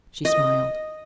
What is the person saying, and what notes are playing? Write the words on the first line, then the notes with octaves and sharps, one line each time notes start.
She smiled.
D#5